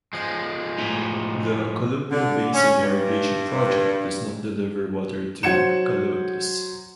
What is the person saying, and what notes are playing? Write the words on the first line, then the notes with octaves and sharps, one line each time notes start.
The Columbia Basin Irrigation Project does not deliver water to Kahlotus.
F3 G#3
A2 A3 D#4
D3
C#4
G2
F#3 C5 F#5 G#6 C#7 E7